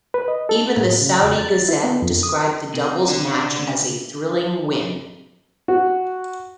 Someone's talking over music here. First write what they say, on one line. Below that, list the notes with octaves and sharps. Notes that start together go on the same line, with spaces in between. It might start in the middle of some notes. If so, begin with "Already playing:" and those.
Even the "Saudi Gazette" described the doubles match as a "thrilling" win.
B4
D#5
A4
A3
A2
C#3
E2
A6
E4
B3
F2
D#6
C3
D3
D2 C#3
F#4